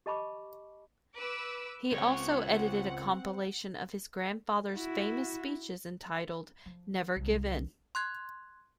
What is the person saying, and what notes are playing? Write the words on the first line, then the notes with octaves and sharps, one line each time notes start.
He also edited a compilation of his grandfather's famous speeches entitled "Never Give In".
G4 D#5 A5 B5 C#6 D6
B4 D6 E6
C#2 C4 C#5 F#5
E4 F#4
F3
C2
C6 F#6 G#6